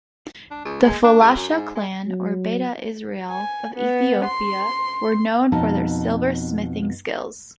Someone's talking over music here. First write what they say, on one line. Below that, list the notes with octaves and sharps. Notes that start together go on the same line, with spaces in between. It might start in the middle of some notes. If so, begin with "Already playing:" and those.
The Falasha Clan, or Beta Israel, of Ethiopia were known for their silversmithing skills.
D4
C#2
G#3
D4
C#2
F#2
G#2
G#3
F#3
G#5
B3
C6
F2 B2 D#4 A5